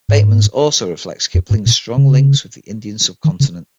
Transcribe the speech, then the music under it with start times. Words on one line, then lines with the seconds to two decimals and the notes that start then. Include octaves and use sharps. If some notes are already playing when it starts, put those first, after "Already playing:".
Bateman's also reflects Kipling's strong links with the Indian subcontinent.
0.09 G#2
1.34 F2
1.51 G#2
1.66 A#2
1.97 C#3
3.24 D#3
3.40 C#3